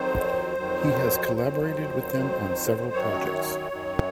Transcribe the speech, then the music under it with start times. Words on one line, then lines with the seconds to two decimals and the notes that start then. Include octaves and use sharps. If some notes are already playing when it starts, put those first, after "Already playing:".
He has collaborated with them on several projects.
Already playing: F2 D#3 F#3 C5
0.58 F2 D#3 F#3
1.36 F2 D#3 F#3 C5
2.15 F2 D#3 F#3
2.93 F#2 D#3 F#3 C#5
3.72 F#2 D#3 F#3